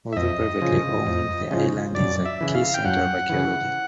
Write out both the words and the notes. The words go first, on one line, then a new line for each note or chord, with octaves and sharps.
Although privately owned, the island is a key center of archaeology.
E5
F2 D#5
C#3 F3
F2
C#3 F3
F#2 D5
E5
C#3 E3
F5
G5
F#2 F#5
C#3 E3